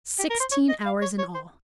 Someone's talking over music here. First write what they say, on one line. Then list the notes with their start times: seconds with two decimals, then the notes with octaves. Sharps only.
"Sixteen hours in all?"
0.19 G4
0.30 A#4
0.40 C5
0.52 C#5
0.69 D#5
0.86 F5
1.02 C#5
1.19 C#5
1.35 C5